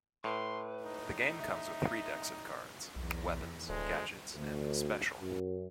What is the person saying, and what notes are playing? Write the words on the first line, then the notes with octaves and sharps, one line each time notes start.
The game comes with three decks of cards: "Weapons", "Gadgets" and "Special".
A2 B4 C6
D#4
E5
B1 E2
D1 D2 G#3
D2
F#2